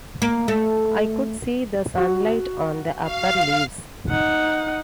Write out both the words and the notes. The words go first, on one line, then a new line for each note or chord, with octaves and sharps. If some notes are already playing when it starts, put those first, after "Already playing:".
I could see the sunlight on the upper leaves.
A#3
A3
F#4
F5
D#4 F#5